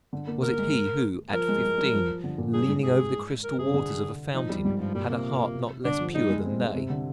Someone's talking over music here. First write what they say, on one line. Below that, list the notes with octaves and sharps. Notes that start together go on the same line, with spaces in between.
Was it he who, at fifteen, leaning over the crystal waters of a fountain, had a heart not less pure than they?
D3
A#3
A#3 A#4
G#3
F3 A#4
G#3
G#3
G3
F3
D3
A#2
G2 G#4
G#2
G#4
A#4
C3 G#4
D3
F3 D#4
G3
G#2 G3
G2 F3
A#2 G3
C3 A#3
D3 D4
F3
G3 D#4
G#3
C4
G#3
C3
D3